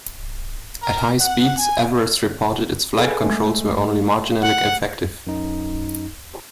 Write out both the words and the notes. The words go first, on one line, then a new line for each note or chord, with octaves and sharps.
At high speeds, Everest reported its flight controls were only marginally effective.
A#4
F#5
G#5
G#4 A4 B4
G#3 A3
F#5
F#2 D#4